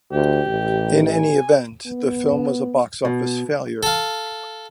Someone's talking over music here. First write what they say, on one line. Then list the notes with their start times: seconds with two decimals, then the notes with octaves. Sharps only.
In any event, the film was a box office failure.
0.12 D2 G4
0.47 A1
1.13 G#5
1.87 B3
3.05 B2
3.83 A4 F5